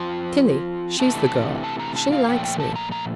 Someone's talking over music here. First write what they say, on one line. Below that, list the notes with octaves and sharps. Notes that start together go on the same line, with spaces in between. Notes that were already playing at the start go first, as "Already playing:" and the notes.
Tillie--she's the girl--she likes me.
Already playing: F3 C4 F4 A5
C3 E3 A3 D4 A5
A5
A#5
A5
F5
A#2 F3 A3 G5
G5
A5
A#5
A#5